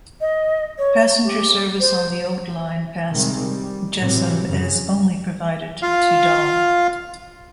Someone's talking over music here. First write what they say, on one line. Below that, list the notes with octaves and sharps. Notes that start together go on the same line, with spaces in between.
Passenger service on the old line past Jessheim is only provided to Dal.
D#5
C#5
G4
C5
C3 D#3 G3 G#3 C4
G3
A2 C3 E3 F#3 G3
F#2 C#3
F4 F5